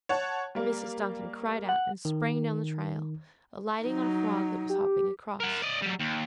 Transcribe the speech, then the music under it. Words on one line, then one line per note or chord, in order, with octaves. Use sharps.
Mrs. Duncan cried out and sprang down the trail, alighting on a frog that was hopping across.
C#5 F#5 A5
G3 A#3
F#5
D#3
F#3 D#4
G4
A#4 F#5
D5 D#5
F#3 G3
D#2